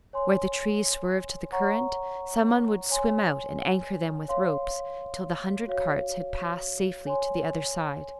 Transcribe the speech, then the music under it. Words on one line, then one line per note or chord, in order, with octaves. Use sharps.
Where the trees swerved to the current, some one would swim out and anchor them with ropes till the hundred carts had passed safely to the other side.
C#5 G#5 C6
C#5 F#5 A#5 C#6
C#5 G#5 C6
C#5 F5 C6
F#4 C#5 F5
C#5 G#5 C6